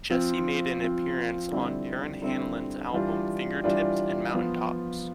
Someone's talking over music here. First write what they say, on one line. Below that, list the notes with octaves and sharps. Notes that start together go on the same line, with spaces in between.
Jesse made an appearance on Darren Hanlon's album "Fingertips and Mountaintops".
F3 C4 F4
F3 C4 F4
D3 G3 C4 E4
D3 G3 C4 E4
E3 G3 D4 F4
E3 G3 D4 F4
F3 B3 F4